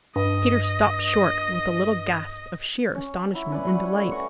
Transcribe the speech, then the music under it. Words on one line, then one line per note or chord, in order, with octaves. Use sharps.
Peter stopped short with a little gasp of sheer astonishment and delight.
G2 D#5
C#4
F#3 E4
C#4 B4 D5
G3 B4 C#5 F#5
A3
E3 F#4 F#5 C#6